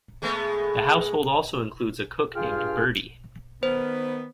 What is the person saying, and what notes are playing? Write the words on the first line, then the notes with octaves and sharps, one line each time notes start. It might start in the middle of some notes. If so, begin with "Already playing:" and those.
The household also includes a cook named Birdie.
G#3 A3 B3
G2 F4 G#4 G5 F6
D#3 B3 C5